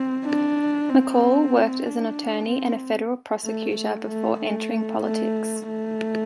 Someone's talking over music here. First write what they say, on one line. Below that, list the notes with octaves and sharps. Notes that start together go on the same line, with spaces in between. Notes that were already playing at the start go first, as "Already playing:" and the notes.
McCaul worked as an attorney and a federal prosecutor before entering politics.
Already playing: C4
D4
C4
D4
C4
A3
A3
A3
A3
A3
A3